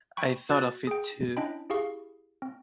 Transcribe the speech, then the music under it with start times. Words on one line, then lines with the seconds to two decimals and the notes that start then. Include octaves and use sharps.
I thought of it too.
0.17 G5 B5 C#6
0.49 F#4 F#6 G#6 A6
0.87 G#4 G5
1.37 C#4 D4 E4 D#5 G5 B5
1.70 E4 G4 G#4 F5 C#6
2.42 C4